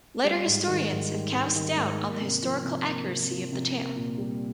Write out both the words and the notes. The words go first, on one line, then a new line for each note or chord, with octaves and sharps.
Later historians have cast doubt on the historical accuracy of the tale.
G3
G#2
D#3
G#2
G3
G#2
D#3
G#2
A#3
C3
F3
C3
A#3
C3
F3
C3
A#3
A#2
G3